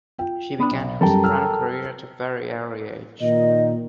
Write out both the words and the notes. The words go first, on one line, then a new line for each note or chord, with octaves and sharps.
She began her soprano career at a very early age.
F4 G5
B3 D4
B1
F#2 G3 A4 A#4 G5 A5
E6 F6
A#2 D#3 D#5